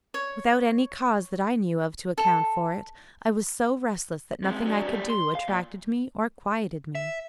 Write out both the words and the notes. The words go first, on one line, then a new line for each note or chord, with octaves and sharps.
Without any cause that I knew of to account for it, I was so restless that nothing I could do attracted me or quieted me.
C#5
A4
C3 G#3
F#3 D4
G3 A3
C6
F5
A#2
E5